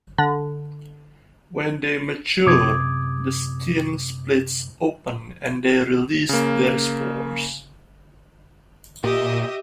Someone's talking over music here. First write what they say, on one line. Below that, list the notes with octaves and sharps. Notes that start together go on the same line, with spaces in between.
When they mature, the skin splits open and they release their spores.
D3
F#2 C3 D6 D#6 G#6
C#3 A#3
A#2 G4 D#5 E5